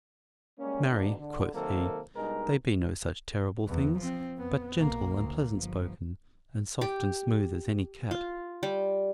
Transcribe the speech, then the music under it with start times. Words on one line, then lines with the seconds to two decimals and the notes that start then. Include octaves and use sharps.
"Marry!" quoth he, "they be no such terrible things, but gentle and pleasant spoken, and soft and smooth as any cat."
0.59 G3 G#3 A#3 C#4
0.90 G#2 B2 D3 D#3 A#3 D4
1.19 D3
1.54 C3 D#3 F#3 A#3 C4 A4
2.16 B2 G3 G#3 D4 D#4 A#4
3.67 E2
3.98 F3 C4
4.36 F2 B3
4.76 B1 A#3
5.14 D2 A#3
5.52 G1 F3
6.81 G4
8.11 F4
8.63 G3